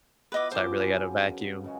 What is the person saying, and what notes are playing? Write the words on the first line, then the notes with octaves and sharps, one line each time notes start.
so I really gotta vacuum.
B3 E4 B4 D#5 D6
F#2 F3 C5 G5 D6
C#3
C#3 G#3 F#4